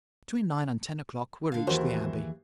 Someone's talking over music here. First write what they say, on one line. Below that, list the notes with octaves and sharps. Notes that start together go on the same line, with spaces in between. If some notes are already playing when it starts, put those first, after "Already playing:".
Between nine and ten o'clock we reached the Abbey.
D3 F5
D#2 E3 F#4 G#4 A#4 C5